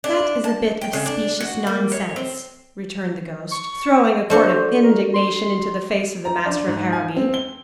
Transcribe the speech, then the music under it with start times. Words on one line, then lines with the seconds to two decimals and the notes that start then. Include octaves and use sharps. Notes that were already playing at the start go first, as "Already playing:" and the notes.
"That is a bit of specious nonsense," returned the ghost, throwing a quart of indignation into the face of the master of Harrowby.
0.04 D4
0.44 A5
0.81 G5
0.93 C#3
1.06 D4
1.40 F#4
1.67 A#3
1.92 C#5
2.16 C4
3.52 C#6
4.30 A3 D4 F#4 C5
4.83 A#4
5.14 C6
6.25 A#5
6.46 D4
6.67 G#2
6.92 G#5
7.16 C4
7.34 G7